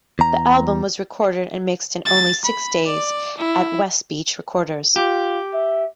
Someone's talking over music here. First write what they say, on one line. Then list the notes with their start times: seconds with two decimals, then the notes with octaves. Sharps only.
The album was recorded and mixed in only six days at Westbeach Recorders.
0.19 E2 A#5
2.06 A6
2.45 B5
2.87 D5
3.38 E4
4.96 F4 G4
5.54 E5